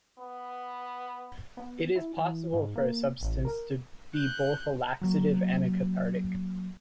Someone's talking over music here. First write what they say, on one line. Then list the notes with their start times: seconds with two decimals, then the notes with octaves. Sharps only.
It is possible for a substance to be both a laxative and a cathartic.
0.19 B3
1.57 B3
1.96 E4
2.17 E3
2.53 G#2
2.76 A#3
3.21 A1
3.45 A#4
4.14 F#6 G6
5.01 F#3 A#3